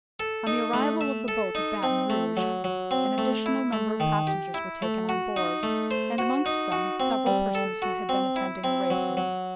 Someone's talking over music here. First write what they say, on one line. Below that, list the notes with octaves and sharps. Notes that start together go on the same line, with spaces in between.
On the arrival of the boat at Baton Rouge, an additional number of passengers were taken on board; and, amongst them, several persons who had been attending the races.
A4
D#4
A3
E5
A4
D#4
C4
A3
F#3
F#3
C4
A3
E4
A3
D#3
G4
E4
A3
F#4
D#4
A3
C5
F#4
D#4
F#4
C4
G3
A4
F#4
C4
E4
C4
F#3
F#3